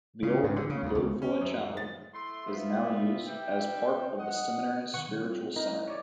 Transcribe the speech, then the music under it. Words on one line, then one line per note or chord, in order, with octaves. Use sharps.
The old Godefroy Chapel is now used as part of the seminary's Spiritual Center.
C#3
G#2
D3
C#3
D2
C#2
C#4
F#2
A6
A3 E4 C6
B3 C4 F4 E5
G3 E5 G5
D#5 F#5
B2 D#3 F#5 C#6
G3
C4 F4
D#4 E4 A#4 D#5
C#5 D5